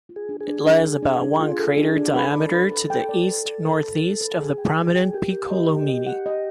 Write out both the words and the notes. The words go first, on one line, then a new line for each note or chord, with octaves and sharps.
It lies about one crater diameter to the east-northeast of the prominent Piccolomini.
F4
G#4
D4
G#4
D4
D4
D4
D4
D4
F4
A4
D4
D4
A4 B4
D5
B4
B4
G5
D5
B4
D5
B4
B4
B4
B4
G#4 B4
G5
D5
G5
G4 A#4
A#4
D#5
A#4
D#5
F#5
D#5